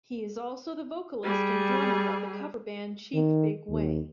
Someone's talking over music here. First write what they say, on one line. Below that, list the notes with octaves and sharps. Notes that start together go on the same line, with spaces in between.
He is also the vocalist and drummer of the cover band Chief Big Way.
G3 G#4
D#3
D#2